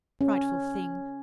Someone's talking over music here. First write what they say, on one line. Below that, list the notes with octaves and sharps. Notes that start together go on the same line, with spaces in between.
Frightful thing!
C#4